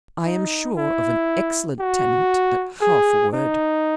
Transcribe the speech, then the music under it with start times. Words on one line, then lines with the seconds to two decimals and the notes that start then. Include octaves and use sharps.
I am sure of an excellent tenant at half a word.
0.25 D#4
0.76 E4
1.79 F#4
2.81 G#4
3.33 D#4